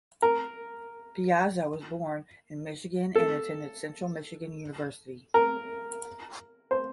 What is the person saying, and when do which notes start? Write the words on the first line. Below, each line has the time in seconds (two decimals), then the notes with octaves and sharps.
Piazza was born in Michigan and attended Central Michigan University.
0.22 A#4
3.15 A4
5.34 A#4
6.71 C5